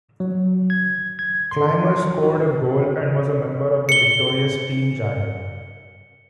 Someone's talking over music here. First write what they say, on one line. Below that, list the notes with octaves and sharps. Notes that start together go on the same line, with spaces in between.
Clymer scored a goal and was a member of the victorious "Team Jagr".
F#3
G#6
G#6
C6
F#4
C#7 G7